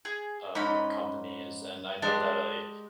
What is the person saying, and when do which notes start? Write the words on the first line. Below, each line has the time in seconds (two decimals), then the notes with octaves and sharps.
uh, companies and I know that a,
0.05 G#4
0.55 G#2 C#4 D#4 B5
2.02 G#3 D4 G4